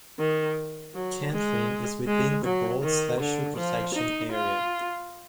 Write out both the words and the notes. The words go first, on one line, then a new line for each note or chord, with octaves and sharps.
Cantley is within the Broads Special Protection Area.
D#3
F#3
G#3
G#3
F#3
D#3
D3
F3
D#4
F4